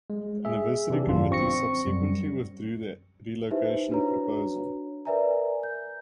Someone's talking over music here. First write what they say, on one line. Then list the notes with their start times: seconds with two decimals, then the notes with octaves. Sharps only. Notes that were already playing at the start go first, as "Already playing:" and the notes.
The anniversary committee subsequently withdrew their relocation proposal.
0.10 G#3
0.45 G#4 E5
0.90 C3 E3 D4 G4
1.06 G#1 F#2 D#3 D4 F4
1.31 C4 C#6 A#6 C#7
1.86 F#2 G3
3.50 D#4 E4 G4 B4 C5 E5
3.90 D4 F#4 B4 C#5 A#5
5.05 A#4 B4 D5 E5 G#5 A#5
5.63 G6